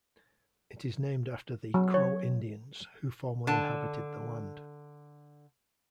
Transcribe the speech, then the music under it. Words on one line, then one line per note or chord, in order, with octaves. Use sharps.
It is named after the Crow Indians who formerly inhabited the land.
F#3
C#5
D3 A5